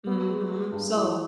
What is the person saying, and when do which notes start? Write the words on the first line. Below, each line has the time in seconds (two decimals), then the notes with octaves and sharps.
Mhm, so
0.07 B3
0.29 G#3
0.51 G#3
0.72 G2
0.95 E3